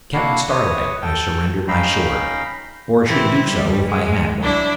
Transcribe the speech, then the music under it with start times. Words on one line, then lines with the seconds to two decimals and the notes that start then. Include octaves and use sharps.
Captain Starlight, I surrender my sword--or should do so if I had one.
0.13 A#3 D4 E4 F#4 F5 F#5
0.49 B4 C#5 D#6
1.02 A4 G5
1.68 C#4 D#4 F5 G5 A#5 B5
3.06 E3 C4 E4
3.44 G3
3.86 G#3
4.40 F#3 D4 E4 D5